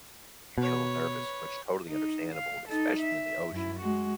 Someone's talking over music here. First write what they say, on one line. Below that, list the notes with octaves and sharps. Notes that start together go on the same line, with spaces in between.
you get a little nervous, which totally understandable, especially in the ocean.
B2 B4 C#5
D#4
F5
D#4 A4
E5
F#2 E4
G#3 F#4